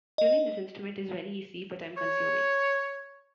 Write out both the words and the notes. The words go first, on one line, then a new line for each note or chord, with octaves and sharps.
Tuning this instrument is very easy but time consuming.
D#5
C#5